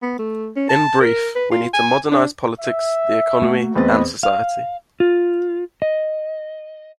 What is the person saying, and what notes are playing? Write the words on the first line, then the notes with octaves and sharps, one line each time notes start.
In brief, we need to modernize politics, the economy, and society.
B3
A3
C#4
A5
A#4
B4
F4
G#5
D4
E5
A3 A#3 F#4
E2 C4 B4 D#5 A6
F5
F4
D#5